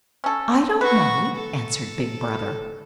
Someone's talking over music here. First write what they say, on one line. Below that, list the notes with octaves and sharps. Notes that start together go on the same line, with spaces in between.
"I don't know," answered Big Brother.
C#4 A4
F#4 B4 C#6
A4